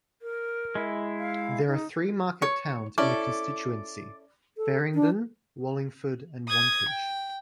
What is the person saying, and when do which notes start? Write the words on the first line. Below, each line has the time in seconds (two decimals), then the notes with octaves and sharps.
There are three market towns in the constituency: Faringdon, Wallingford and Wantage.
0.22 A#4
0.75 G#3 E4
1.18 F5
1.67 D#4
2.42 C#5 C#6
2.98 C#4 E4 A4 D5
4.57 A4
4.94 D4
6.48 D#6 G#6
6.89 G5